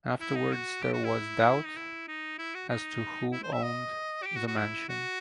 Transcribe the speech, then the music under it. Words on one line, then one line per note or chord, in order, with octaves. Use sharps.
Afterwards there was doubt as to who owned the mansion.
E4
D#4
F#4
G4
F#4
E4
D#4
E4
D#4
E4
F#4
D#4
E4
C5
E5
D#5
F#4
G4
F#4
F#4
E4
F#4